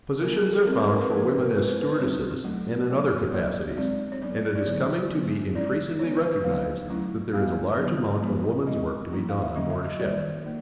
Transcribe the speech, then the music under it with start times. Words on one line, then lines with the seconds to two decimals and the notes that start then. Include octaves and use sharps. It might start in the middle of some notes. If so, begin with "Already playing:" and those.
Positions are found for women as stewardesses and in other capacities, and it is coming to be increasingly recognised that there is a large amount of women's work to be done on board a ship.
0.21 F#3 B3 D4 A#4
0.37 G#4
0.51 A4
0.66 G3 C4 E4 A#4
0.78 B4
0.91 A#4
1.03 B4
1.10 F3 A#3 D4
1.16 A#4
1.29 B4
1.41 A#4
1.55 G#3 B3 E4 B4
1.68 C5
1.82 B4
1.99 G3 C4 D#4 C#5
2.44 F#3 A3 D4
2.88 F#3 B3 D#4 D5
3.33 F#3 A#3 D4 D5
3.77 G#3 C4 D#4 D5
4.12 C#5
4.22 F#3 B3 D4 D5
4.55 D5
4.66 D3 F#3 B3 C#5
5.11 D3 F#3 B3
5.55 G#3 C#4 E4 D5
5.99 E3 G#3 B3 C#5
6.11 C#5
6.17 B4
6.22 C5
6.33 B4
6.44 D3 F#3 A#3 D#4 F5
6.89 F#3 A3 C#4 E4
7.33 G3 B3 D4 F5
7.78 D3 F#3 B3 D#4
8.22 F3 G#3 B3
8.67 G#3 C4 E4 D#5
9.11 F3 A#3 C#4 E4
9.29 F5
9.42 E5
9.55 D3 F#3 A#3 C#4 D#5
9.70 E5
9.85 D#5
10.00 D#3 G3 A#3 D5
10.44 A#3 D#4